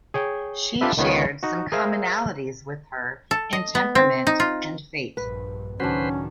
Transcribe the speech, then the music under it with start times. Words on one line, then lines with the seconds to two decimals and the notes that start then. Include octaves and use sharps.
She shared some commonalities with her in temperament and fate.
0.14 G#4 C#5 G5
0.81 D4 F4 G4 A4 B4 E5
0.97 C#2 D#3 G#3 B3 F4 C#5
1.43 D#4 F#4
1.72 G#4 A#4 C5 E5 F5
3.31 A4
3.53 D#5
3.75 B3
3.95 C4
4.27 D#4
4.40 F4
5.17 A#1 G2 B4
5.80 C#2 A2 D#3 F#3 C#4 D4 B4 C5